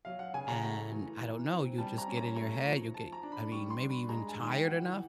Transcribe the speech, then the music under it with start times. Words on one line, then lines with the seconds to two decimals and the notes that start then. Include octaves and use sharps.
and I don't know, you'll just get in your head. You'll get I mean, maybe even tired enough,
0.05 F#3 F5
0.19 F#5
0.34 C#3 G#5
0.48 A#5
0.63 A3
0.92 E3
1.20 E3
1.50 C4
1.78 G3 A5
1.98 A#5
2.08 C#4
2.17 A#5
2.36 A3 A#5
2.64 F3
2.93 F3 A5
3.13 A#5
3.23 D4
3.32 B5
3.52 G3 C#6
3.70 C6
3.80 D4
3.90 B5
4.09 G#3 A#5
4.28 G#5
4.38 D#3
4.48 G5
4.67 E3 F#5